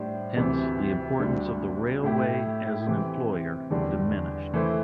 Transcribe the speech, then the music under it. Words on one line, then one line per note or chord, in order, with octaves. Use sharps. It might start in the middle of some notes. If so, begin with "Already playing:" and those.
Hence the importance of the railway as an employer diminished.
Already playing: A2 G3 D4 C5
D2 C3 E3
D2 D3 G3
A2 A3 E4 G4
C3 E3 C4 G4
E2 D3 G3 D4
E3 A3 E4 C5